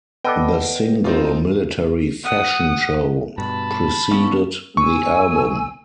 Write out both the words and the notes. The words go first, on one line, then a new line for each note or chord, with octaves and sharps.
The single "Military Fashion Show" preceded the album.
B3 A4 D5 D#5 G5
C4 D#4 F4
F#5 D#6
G2 B2 A5 B5
G3 B3 C#4 A4
G#5 C#6 E6